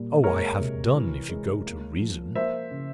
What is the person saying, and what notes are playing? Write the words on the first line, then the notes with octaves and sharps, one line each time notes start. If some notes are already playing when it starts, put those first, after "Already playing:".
Oh, I have done if you go to reason!
Already playing: A#2 G3
G#3 A#4 C#5
C3
E3
G#3
A#3
F3
A#3 C5 E5
C#3